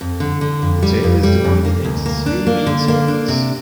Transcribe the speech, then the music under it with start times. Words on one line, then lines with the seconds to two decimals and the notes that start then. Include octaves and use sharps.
The tale is divided into three main cycles.
0.01 F2
0.20 D3
0.41 D3
0.62 F2
0.82 G3
1.03 F2
1.23 G3
1.44 F2
1.65 A#3
1.84 D2
2.06 A#3
2.26 D4
2.47 A#3
2.67 D3
2.88 A#3
3.08 D4
3.28 C3